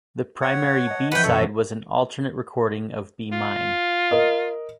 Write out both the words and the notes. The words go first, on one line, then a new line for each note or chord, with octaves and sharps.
The primary b-side was an alternate recording of "Be Mine".
C#5 F#5
D#5 A5
E3 F3 C#4 B4 F#5 G5 F#6
F#2 B2 F#3 A4 C#5
F4
A#4 D#5